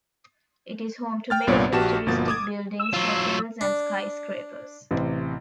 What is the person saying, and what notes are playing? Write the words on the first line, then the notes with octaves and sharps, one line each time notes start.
It is home to many futuristic buildings, hotels and skyscrapers.
G5 F6 A6
C2 G2 A#2 B3 C#5 D5
A#1 F#4 G4 A5 E7
G1 B2 F3 A#3 A6
D6 D#6 G#6
E6
F#3 F4
D4
A1 C3